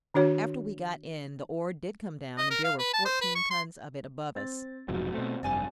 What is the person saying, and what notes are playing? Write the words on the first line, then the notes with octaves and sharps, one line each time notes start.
After we got in, the ore did come down and there were fourteen tons of it above us.
D#3 D4 F#4 C#5
D#5
A#4
F5
B4
A5
C5
B4
C#6
C6
C4 A6
F1 F2 G#2 B2 F#3
B2 A3 C4
F1 G2 D5 G#5 A5